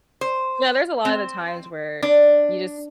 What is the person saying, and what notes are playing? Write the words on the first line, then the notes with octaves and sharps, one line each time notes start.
Yeah, there's a lotta of the times where you just
C5
C4
D4